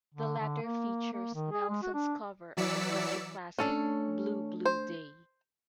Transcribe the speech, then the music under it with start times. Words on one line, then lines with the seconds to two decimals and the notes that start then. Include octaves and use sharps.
The latter features Nelson's cover of the country classic "Blue, Blue Day".
0.14 D3
0.40 D3
0.62 A#3
1.13 A#3
1.34 D#3
1.52 G#4
1.70 G#3
1.82 F#4
1.94 D4
2.57 E3 F#3 D5 E6 B6 C#7
3.59 A3 C#4 D4 A4
4.65 C5